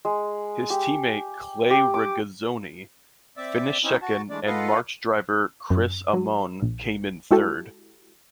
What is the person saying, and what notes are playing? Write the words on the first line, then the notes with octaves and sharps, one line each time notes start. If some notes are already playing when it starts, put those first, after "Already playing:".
His teammate Clay Regazzoni finished second and March driver Chris Amon came in third.
G#3
G4
G4
D6
C4 D5 E5
C4 C#4 D#4 E4
F#4 A5
E3 G#3 A3 D4 D5
F4 A4 B4 D#5 F5 F#5
F#2
F#3
A#1
G#3 E4 F#4 G4 A4